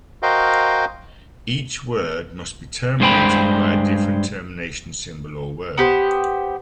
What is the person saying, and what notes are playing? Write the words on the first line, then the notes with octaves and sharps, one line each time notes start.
Each word must be terminated by a different termination symbol or word.
F#4 A#4 C5 D#5 F5 G5
G2 G#3 C5 G5 B5
B3 G4 C5